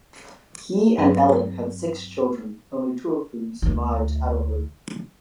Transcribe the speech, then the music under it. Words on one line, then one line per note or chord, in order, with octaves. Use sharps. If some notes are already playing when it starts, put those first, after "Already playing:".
He and Ellen had six children, only two of whom survived to adulthood.
G2 F#3 C4 G#4 B4
D2 F4